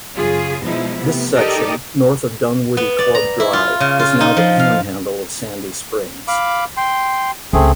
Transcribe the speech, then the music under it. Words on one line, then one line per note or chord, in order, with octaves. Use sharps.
This section, north of Dunwoody Club Drive, is now the panhandle of Sandy Springs.
F#2 C#3 F4 G#4
B2 F3 G#3 D#4 E4
C3 A3 B3
D#4 G4 A4 A#4 D5 D#5
B3
D5
A#5
E4
F4
C#3
F4
D#4
F3
F5
F5 B5 D6
G5 C6
C#2 A3 C4 G#4